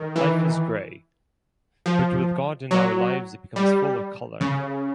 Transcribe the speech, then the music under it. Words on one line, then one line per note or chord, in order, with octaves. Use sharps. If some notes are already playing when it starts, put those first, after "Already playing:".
Life is grey but with God in our lives it becomes full of colour.
Already playing: D#3
E3
F3
F#3
G3
C#3